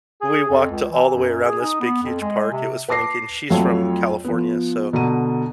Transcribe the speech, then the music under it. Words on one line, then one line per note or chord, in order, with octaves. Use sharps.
we walked all the way around this big huge park, it was funny kin she's from California, so,
G#4
F2
C#2
E3
F#2
G#4
D#4
B3
F2
G#3
C3
B4 A5 D6 A#6 C7
F2 F#3 A3 F4 C#5 A5
F3 B3
B2 D3 D4 A#5 D#7